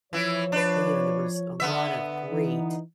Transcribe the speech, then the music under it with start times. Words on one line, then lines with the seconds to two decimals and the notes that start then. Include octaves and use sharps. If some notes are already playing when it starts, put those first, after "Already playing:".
and, you know, there was a lot of great,
0.13 E3 F3 E4 C#5
0.52 D4 B4
1.60 D3 B3 E5
2.31 E3 D#4